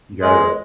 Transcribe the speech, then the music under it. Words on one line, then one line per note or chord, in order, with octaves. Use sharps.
you got it right,
G#3